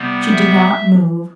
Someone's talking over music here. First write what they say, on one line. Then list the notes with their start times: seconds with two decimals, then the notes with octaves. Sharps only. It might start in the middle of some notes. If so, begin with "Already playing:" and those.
She did not move.
Already playing: C3 G3 B3
0.29 E5